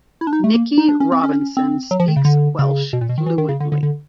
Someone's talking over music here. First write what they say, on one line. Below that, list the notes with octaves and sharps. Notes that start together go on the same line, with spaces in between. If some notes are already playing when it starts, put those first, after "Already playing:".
Nicky Robinson speaks Welsh fluently.
E4
D4
D#4
A3
A#3
D#4
D4
C#4
C4
C#4
C4
F#3
F3
D#3
C#3
D3
C#3
B2
A#2
B2
D#3
E3
D#3
C#3
D3
D3
D3